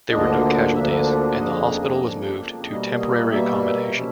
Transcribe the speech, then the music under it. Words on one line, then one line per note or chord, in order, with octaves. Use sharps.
There were no casualties, and the hospital was moved to temporary accommodation.
D2 D3 F3 A#3 D4 D#5
D2 D3 F3 A#3 D4 E5
F2 C#3 F3 A#3 D4 D#5
F2 C#3 F3 A#3 D4
B2 G3 A#3 D#5
D#5
D5
D#5
B2 G3 A#3 E5
C3 F3 A#3 C#4